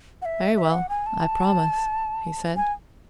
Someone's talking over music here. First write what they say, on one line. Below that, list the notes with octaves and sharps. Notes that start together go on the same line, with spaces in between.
"Very well--I promise," he said.
F#5
E5
E5
F#5
G#5
A5
G#5